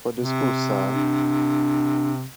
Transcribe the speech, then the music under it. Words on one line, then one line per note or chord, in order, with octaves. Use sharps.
For the school, sir?
C3
D4